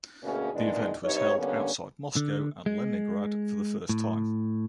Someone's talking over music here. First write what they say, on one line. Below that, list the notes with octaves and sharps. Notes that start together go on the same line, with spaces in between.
The event was held outside Moscow and Leningrad for the first time.
D2 B2 A#3 C#4 G#4
E2 B2 D#3 G#3 D4 D#4
G2 C3 D#4 C#5
D3 G3 A#3 B3 C#4 D4
D3
G#3
A2